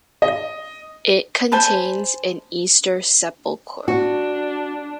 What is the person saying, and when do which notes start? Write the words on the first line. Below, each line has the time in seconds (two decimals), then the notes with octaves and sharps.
It contains an Easter Sepulchre.
0.22 D#5
1.52 C5 G#5 A5 B5
3.88 D4 F#4